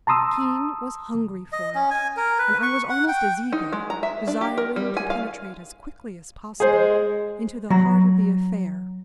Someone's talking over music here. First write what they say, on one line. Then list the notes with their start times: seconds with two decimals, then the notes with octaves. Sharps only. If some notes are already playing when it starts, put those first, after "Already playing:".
Keene was hungry for it, and I was almost as eager, desiring to penetrate as quickly as possible into the heart of the affair.
0.07 A5 A#5 C6 D#6 E6
1.52 D#5
1.75 C#4
1.91 G#5
2.17 A#4
2.39 B4
2.63 C#6
2.90 F#5
3.08 G5
3.53 D#4
3.72 G#3
3.90 A#5
4.03 E5
4.27 D4
4.41 G4
4.58 A#4
4.76 G3
4.97 G#5
5.10 F5
6.60 G#3 G#4 C5
7.70 F#3 A#5